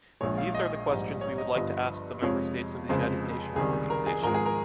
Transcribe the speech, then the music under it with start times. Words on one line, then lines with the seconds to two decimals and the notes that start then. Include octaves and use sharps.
These are the questions we would like to ask the member states of the United Nations Organization.
0.21 A#1 A#2 G#3 C#5
0.38 F5
0.55 D#5
0.88 A#1 G#2 G3
1.21 C#5
1.38 D#5
1.55 G1 G2 F3 D#5
2.22 F2 C3 F3 G#3 C#5
2.89 F1 F2 C#3 G#3 C5
3.56 C#2 C3 D#3 G3 G#4
3.90 A#4
4.07 G#4
4.23 G#1 G#2 F3 G#3 A#4
4.34 G#4
4.46 A#4